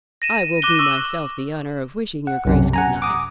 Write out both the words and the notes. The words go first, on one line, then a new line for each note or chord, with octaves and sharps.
I will do myself the honour of wishing your Grace good-night.
A#6 D#7 E7
D6 F#6 D#7 G7
C#6 D6 E6
F#5
B1 F#2 C3
F#5 G#5 A#5
D6 D#6